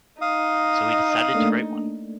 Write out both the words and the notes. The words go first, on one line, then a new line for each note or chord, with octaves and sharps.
So he decided to write one.
D#4 F5 D#6
A3 A#3 D4